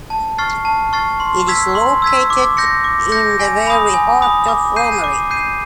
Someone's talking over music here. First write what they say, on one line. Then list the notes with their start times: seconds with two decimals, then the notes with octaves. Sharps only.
It is located in the very heart of Romerike.
0.10 A5
0.38 C#6 F6 A6 C7
0.65 A5
0.93 C#6 F6 A6 C7
1.20 C6
1.48 E6 G#6 B6
1.75 C6
2.02 E6 G#6 B6
2.30 D6
2.57 G6 A#6 C#7
2.84 D6
3.12 G6 A#6 C#7
3.39 G#5
3.67 B5 D#6
3.94 G#5
4.22 B5 D#6
4.48 D6
4.76 G6 C7 D#7
5.04 D6
5.31 G6 C7 D#7